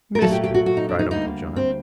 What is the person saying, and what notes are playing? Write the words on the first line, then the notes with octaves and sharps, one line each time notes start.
"Mystery!" cried Uncle John.
A#4
A#2 F#3 A3 A4
G4
G4
F#4
F#4
D#4
D4
D#4
D2 D3 G3 A#3 D#4
C4